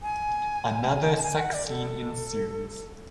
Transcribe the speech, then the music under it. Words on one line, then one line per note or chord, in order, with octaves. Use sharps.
Another sex scene ensues.
G#5
A5
G#5
F#5
D5
A4